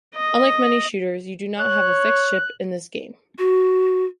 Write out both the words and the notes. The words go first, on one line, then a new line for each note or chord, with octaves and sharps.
Unlike many shooters, you do not have a fixed ship in this game.
D#5
C#5 F#6
F#4